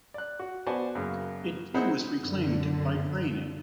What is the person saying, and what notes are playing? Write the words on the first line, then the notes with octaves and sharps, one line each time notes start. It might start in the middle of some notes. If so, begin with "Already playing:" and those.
It too was reclaimed by draining.
D5 F#6
F#4
B3 F#4 C5 D5 G#5 A5
F#2 C#3 A#3
C4 D#4 E4 G#4 C5 F#5
F#2 D3